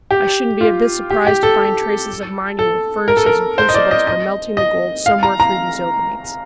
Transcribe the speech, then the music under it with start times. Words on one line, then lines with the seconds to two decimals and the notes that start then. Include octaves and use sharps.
I shouldn't be a bit surprised to find traces of mining with furnaces and crucibles for melting the gold somewhere through these openings.
0.11 G4
0.61 F4
1.10 G4
1.27 G4
1.43 A4
2.59 A4
3.08 A#4
3.17 A4
3.26 A#4
3.58 C5
3.69 D#5
3.74 D5
3.91 D#5
4.07 D#5
4.57 D#5
5.06 F5
5.23 A#5
5.40 A#5